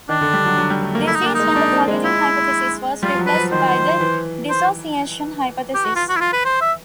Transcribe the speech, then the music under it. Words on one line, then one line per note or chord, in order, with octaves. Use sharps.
This is when the forgetting hypothesis was replaced by the dissociation hypothesis.
D#3 D4
D3
G3
F#3
F#3
G3
A3
A#3
A3 E4
D#4
A#3 D4
G#3 D#4
D4
C4
G#3
E4
G3 F4
F3
F#3
B4
F3
D#3 C5
E3
C5
G4
F#4
F4
F#4
E4
F4
B4
C5
E5